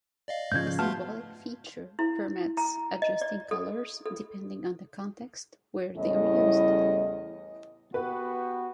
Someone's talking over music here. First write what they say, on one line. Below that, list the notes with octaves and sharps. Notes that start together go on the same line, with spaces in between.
The "symbolic" feature permits adjusting colors depending on the context where they are used.
D5 D#5 F5
G#2 C#3 F3 G6 G#6
A3 B3 F#4 F5 A5 C6 F6
E4
A#5
D#5
D5
A4
A4
E2 A2 C#3 G3 E4 D#5
B3 F#4 G4 B4